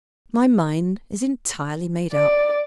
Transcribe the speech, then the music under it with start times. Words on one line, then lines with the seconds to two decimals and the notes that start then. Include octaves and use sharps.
My mind is entirely made up.
2.12 D5